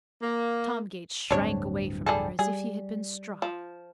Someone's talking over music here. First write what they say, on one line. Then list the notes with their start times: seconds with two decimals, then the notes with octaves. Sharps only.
Tom Gates shrank away from her as if he had been struck.
0.22 A#3
1.30 D1 G2 C4 D4 C#5
2.06 G3 G#4 A4
2.39 G3 G#4
3.42 F3